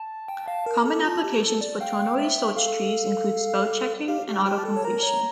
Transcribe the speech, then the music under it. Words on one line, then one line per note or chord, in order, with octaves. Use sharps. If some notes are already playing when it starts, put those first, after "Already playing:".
Common applications for ternary search trees include spell-checking and auto-completion.
Already playing: A5
G5
F5
A#4
A4
F4
G4
A4
D5
F5 G5
E5
A4 F5
G4 F5
G4 F5
G5
G4
A5
A4
C#5
A#4 A#5
C#5